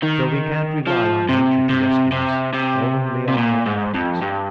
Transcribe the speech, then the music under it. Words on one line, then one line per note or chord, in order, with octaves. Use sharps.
So we can't rely on nature to rescue us, only our own efforts.
D#3
F3
C3
C3
C3
C3
C3
A#2
G#2
F2
G2